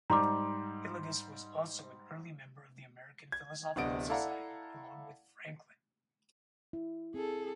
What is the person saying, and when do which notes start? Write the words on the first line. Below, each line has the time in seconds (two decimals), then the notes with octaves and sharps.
Hillegas was also an early member of the American Philosophical Society, along with Franklin.
0.10 G#2 G3 A#5 C6 D6
3.32 G#6
3.76 D1 C3 B3 D4 D#5 D7
4.09 E4 A4 D5 F5 F#5 A#5
6.73 E4
7.14 C4 G#4 A4